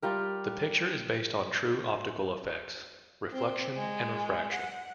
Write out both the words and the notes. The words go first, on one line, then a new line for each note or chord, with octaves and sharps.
The picture is based on true optical effects, reflection and refraction.
G3 F4 G4 A#4
C4
G#3
F#5